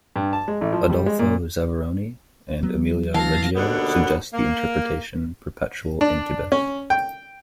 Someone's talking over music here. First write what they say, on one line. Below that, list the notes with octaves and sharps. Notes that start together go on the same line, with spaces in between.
Adolfo Zavaroni and Emilia Reggio suggest the interpretation Perpetual-incubus.
G2
A5
G#3
A1
F3
G3
G#3
A#2
F#3 B3
E3 F5 A5 A#6
D#2 B2 D3 B3
A#3
D4
C#4
G5